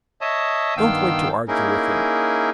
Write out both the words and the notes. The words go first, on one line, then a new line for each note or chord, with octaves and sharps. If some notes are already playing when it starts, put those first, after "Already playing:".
Don't wait to argue with him.
C#5 D#5 E5 A5 D#6
G2 D#3 B3 F5 G5 E6
A#3 C#4 D#4 E4 G#4 A#4